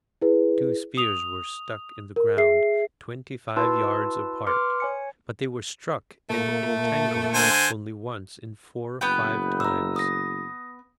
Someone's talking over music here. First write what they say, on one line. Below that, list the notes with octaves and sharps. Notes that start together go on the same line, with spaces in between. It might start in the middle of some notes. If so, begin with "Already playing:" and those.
Two spears were stuck in the ground twenty-five yards apart, but they were struck and entangled only once in four or five times.
E4 G#4 B4
D#6 F7
A#4
G#4 E5 C7
E4 F#4 B4 A5 C6 E6
B4 C6 D6 F6 C#7
C#5 G#5 C#7
A#2 A3 A#3
D3 C5 G#5
F#1 B3 B4 G5
A#5 E6
D#6 A#6